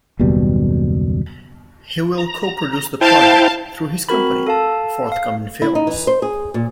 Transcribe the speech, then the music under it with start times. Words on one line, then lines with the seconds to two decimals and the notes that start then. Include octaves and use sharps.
He will co-produce the project through his company, Forthcoming Films.
0.19 F#1 D#2 B2 G3
2.18 A#5
3.01 E4 C5 F5 G5 A5
4.09 C4 F#4 A#4 B5
4.47 A4 F5 A5
5.12 F5
5.62 E4
5.75 D#4
5.87 E3
6.07 C5
6.22 G#4
6.54 A#2